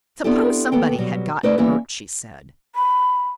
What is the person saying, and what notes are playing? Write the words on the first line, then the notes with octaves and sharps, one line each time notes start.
"Suppose somebody had gotten hurt," she said.
B3 C4 D4 E4 G4 A4
D#2 B3 A4 G5
B2 F#3 G3
A3 D#4 B4 C5 D5
E3 G3 A#3 B3 C#4 E4
B5